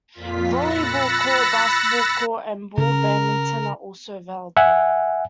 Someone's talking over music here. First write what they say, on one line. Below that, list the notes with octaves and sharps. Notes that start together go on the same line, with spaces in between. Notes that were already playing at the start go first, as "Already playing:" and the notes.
Volleyball court, basketball court and ball badminton are also available.
F2 A#2 F4 B6
B5 E6 F#6 A6 A#6 C#7
C#3 A#4
E5 F#5 G#5